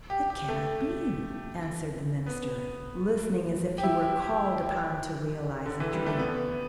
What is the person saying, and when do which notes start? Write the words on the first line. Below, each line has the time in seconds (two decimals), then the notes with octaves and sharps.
"It cannot be!" answered the minister, listening as if he were called upon to realise a dream.
0.10 G4
0.30 G4
0.48 A3
2.26 B3
3.78 G4
3.83 E4
4.03 G4
4.22 G4
4.63 G4
5.66 D3
5.80 E3
5.93 G3
6.06 A3
6.19 B3